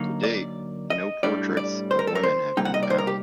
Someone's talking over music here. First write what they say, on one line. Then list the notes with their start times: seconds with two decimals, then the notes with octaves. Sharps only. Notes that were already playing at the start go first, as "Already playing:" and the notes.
To date, no portraits of women have been found.
Already playing: D3 F#3 A#3 D#4
0.23 D5
0.90 D#5
1.23 A2 G3 D4 D5
1.57 D5
1.91 C5
1.99 A#4
2.07 A4
2.15 A#4
2.23 C5
2.57 C3 G3 A#3 D#4 G5
2.65 F#5
2.74 D#5
2.83 D5
2.90 C5
2.98 A#4
3.07 G4